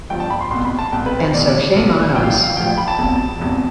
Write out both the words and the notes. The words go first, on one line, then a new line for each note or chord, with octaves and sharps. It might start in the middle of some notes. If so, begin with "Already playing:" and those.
And so shame on us.
G1 G2 F3 G5
A5
B5
C6
C2 B2 C6
B5
A5
C2 B2 G5
B4
C5
B1 B2 D5
B1 B2
A1 A2 F3 G5
F5
G5
F5
A1 A2 F3 G5
G5
B5
A5
E1 E2 C3
E1 E2 C3